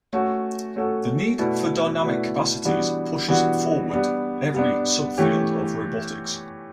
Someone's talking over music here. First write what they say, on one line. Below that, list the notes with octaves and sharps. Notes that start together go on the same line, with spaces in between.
The need for dynamic capacities pushes forward every sub-field of robotics.
A3 C#4 F#4 A4
A3 C#4 F#4 A4
B2 A3 E4 B4 D5
B2 A3 E4 B4 D5
E3 G3 B3 D4 F#4
E3 G3 B3 D4 F#4
G3 B3 D4
G3 B3 D4
E3 A3 C#4 G4